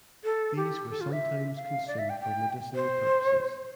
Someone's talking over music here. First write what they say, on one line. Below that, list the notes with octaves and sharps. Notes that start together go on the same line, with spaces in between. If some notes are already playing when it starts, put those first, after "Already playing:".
These were sometimes consumed for medicinal purposes.
A4
G4
A4
F4
E5
F5
D5
E5
G5
G5
C5